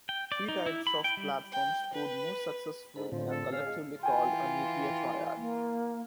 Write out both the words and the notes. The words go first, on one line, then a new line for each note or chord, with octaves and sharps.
Three types of platforms proved most successful and are collectively called a "nuclear triad".
G5
D5
D#4
E4
B5
G5
G3
G5
B4
G#2 A4 B5
A2 D3 F3 C4
A4
C#4 G#4 F5
G#3
E3 F4 G5 G#5
A#3